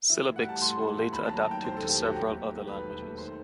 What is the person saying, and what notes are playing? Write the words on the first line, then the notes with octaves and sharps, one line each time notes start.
Syllabics were later adapted to several other languages.
E3 E5
A2
F#5
G3 A5
A2 C6
E3
A2
D#2 B5
A5
F#3
A5
D#3 G5
E1 C5
A4
D#2
G4
F#3 F#4
D#2 G4
A3
D#3
E1 B4
D#2
A3
D#3 C5